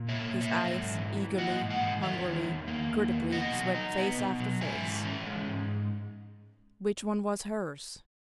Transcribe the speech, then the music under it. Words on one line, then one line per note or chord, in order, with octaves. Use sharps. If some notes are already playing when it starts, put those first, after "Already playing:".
His eyes, eagerly, hungrily, critically, swept face after face. Which one was hers?
Already playing: A#2
A#3 C#5 E5
A#2
C#5 E5
F#3
G#2
E3
E4
A#3 D#5 F#5
G#2
D#5 F#5
E3
E2 C#5 E5
D#3
E2
A#3
E2
D#3
B2 D#5 F#5
F#3
D#4
B3
B2
F#3
G#2 E5 G#5
E3
C#4
G#3
G#2